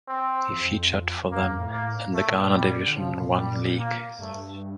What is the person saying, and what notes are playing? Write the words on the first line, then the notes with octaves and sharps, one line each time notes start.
He featured for them in the Ghana Division One League.
C4
F2
F2 A#3
F2
A2
A#3
A#2 A3
G3
D3
C3 F3
A#2
G3
A#3
G2 A3